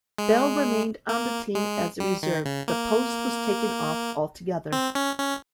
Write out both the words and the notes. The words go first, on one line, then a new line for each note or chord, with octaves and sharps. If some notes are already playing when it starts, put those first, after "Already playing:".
Bell remained on the team as a reserve, but Post was taken off altogether.
G#3
A#3
G#3
G3
D#3
C#3
A#3
C4
C#4
C#4